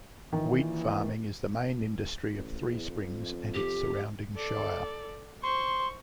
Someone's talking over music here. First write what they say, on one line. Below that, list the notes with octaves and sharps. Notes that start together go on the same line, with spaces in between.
Wheat farming is the main industry of Three Springs and its surrounding Shire.
A#1 A#2 D#3 E3
A1
E2
F2
G4
A4 D5
C5 C6 C#6